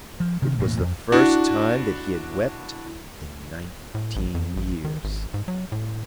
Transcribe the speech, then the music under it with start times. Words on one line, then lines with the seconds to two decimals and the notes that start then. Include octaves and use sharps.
It was the first time that he had wept in nineteen years.
0.20 F3
0.42 C3 D#3
0.59 E1 A2 E3 A#3
0.80 F2
1.12 D4 E4 F#4
3.95 A2
4.16 A1
4.35 F2
4.57 A1
4.84 D#3
5.04 G#1
5.34 G#2
5.48 F#3
5.72 A2